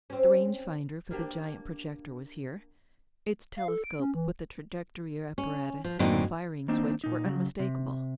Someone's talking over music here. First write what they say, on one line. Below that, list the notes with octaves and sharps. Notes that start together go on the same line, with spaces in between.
The range finder for the giant projector was here; its telescope with the trajectory apparatus and the firing switch were unmistakable.
C4 C#4
A#3 D4 G4
F5
A4
D7
C#4
E3
C#4
F3
F#2 A2 D3 A#3 C4 D#4
D#3 A#3 C4 D4 D#4
A#2 D#4
C#3 F#3
C3